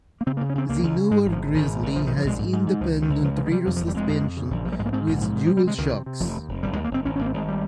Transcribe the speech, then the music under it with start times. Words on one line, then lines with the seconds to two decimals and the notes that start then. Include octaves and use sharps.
The newer Grizzly has independent rear suspension with dual shocks.
0.21 A#3
0.26 C#3 C4
0.37 A#3
0.41 C#3
0.50 C#4
0.55 C#3 C4
0.69 C#2 A#3
0.83 C#2
0.97 C#3
1.11 G#2 G#3
1.25 G#1
1.32 F3
1.39 G#2
1.54 G#1 D#3
1.67 G#2
1.82 G#1
1.96 A#1 F3
2.07 D#3
2.10 G#2
2.17 F3
2.24 A#1 G#3
2.38 G#2
2.53 G#2
2.67 G#2
2.81 C#2 F3
2.95 C#2
3.02 D#3
3.10 C#2
3.23 C#2 F3
3.37 C3 F3
3.46 G#3
3.52 C3 G3
3.66 F2 F3
3.76 F3
3.80 F1
3.88 G3
3.94 F2 G#3
4.08 F2
4.23 F2
4.37 C#3
4.51 A#1
4.65 A#1 F3
4.72 G3
4.79 G#2 G#3
4.86 A#3
4.93 G#2 C4
5.07 A#1 D#3
5.21 G#2 F3
5.36 C3 D#3
5.46 F3
5.50 C3
5.57 G3
5.64 C3 G#3
5.78 C#2 D#3
5.91 C3
6.06 C3
6.20 F1 F3
6.35 D#2
6.48 F1
6.63 F1 G3
6.73 G#3
6.77 D#2
6.84 A#3
6.91 F1 C4
7.05 G#1 C#4
7.16 C#4
7.19 G#1 A#3
7.26 C4
7.33 G#1 G#3
7.48 G3